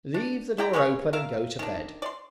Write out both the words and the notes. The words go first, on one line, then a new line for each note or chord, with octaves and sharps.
Leave the door open, and go to bed.
D4
E4 D5 G5 A#5
G#3 B3 B4 C#5
A#4 E5 F5
D#3 D4
D5 C6